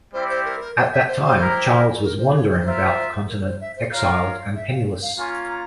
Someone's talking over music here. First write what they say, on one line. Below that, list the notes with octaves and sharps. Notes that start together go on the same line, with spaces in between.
At that time, Charles was wandering about the Continent, exiled and penniless.
G3 C4 E4 G4 C5
C5
A#4
A#4
C5
E5
C5
C5
E4 G4 A#4
A#4
C5
C#5
C5
F4 A#4 E5
A#4
C5
E5
C5
F4 A#4 C#5 F5
E5
F5
F5
A#3 C#4 F4 G#5
A#5